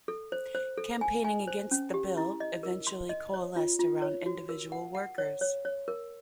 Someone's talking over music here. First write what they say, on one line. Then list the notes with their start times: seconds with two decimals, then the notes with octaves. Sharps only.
Campaigning against the Bill eventually coalesced around individual workers.
0.08 A4
0.32 C5
0.55 C5
0.78 A4
1.01 G#5
1.24 G#5
1.47 C5
1.71 C#4
1.94 G4
2.17 E4
2.40 D#5
2.63 A#4
2.87 C6
3.09 D#5
3.34 C#5
3.56 F4
3.79 F4
4.02 C#5
4.26 F#4
4.49 A#4
4.72 F#5
4.95 F#5
5.18 C#5
5.41 C#5
5.65 C#5
5.88 A#4